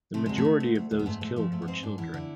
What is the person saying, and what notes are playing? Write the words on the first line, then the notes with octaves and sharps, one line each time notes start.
The majority of those killed were children.
C3 A3
D2 G#3
A3
D2
D2
D2
D2
B3
G#2 A3
G#2 A3
F3 A3
G#2 A3
B3
G#2 C4
G#2 D4
E2 E4
D3